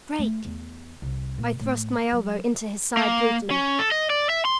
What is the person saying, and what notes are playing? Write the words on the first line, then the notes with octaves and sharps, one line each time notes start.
"Drake!" I thrust my elbow into his side brutally.
A3
E2
C2
A#2
A2
F#3
A#3
C#4
A4
D#5
D5
E5
C6